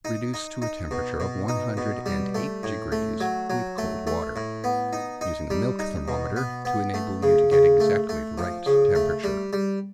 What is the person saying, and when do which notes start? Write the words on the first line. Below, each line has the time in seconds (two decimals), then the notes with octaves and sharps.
Reduce to a temperature of one hundred and eight degrees with cold water, using a milk thermometer to enable you to get exactly the right temperature.
0.05 D#4
0.34 D#4
0.62 D#4
0.91 B2
1.20 B2
1.48 D#4
1.77 B2
2.06 G3
2.35 A3
2.63 A2
2.92 A3
3.20 F#3
3.50 F#3
3.78 A3
4.07 A3
4.36 A2
4.64 B3
4.93 D#4
5.21 D#4
5.50 G3
5.79 D#4
6.08 B2
6.36 B3
6.65 B3
6.94 A3
7.23 C#3
7.52 C#3
7.80 A3
8.09 A3
8.38 F3
8.66 C#3
8.95 A3
9.24 G3
9.53 G3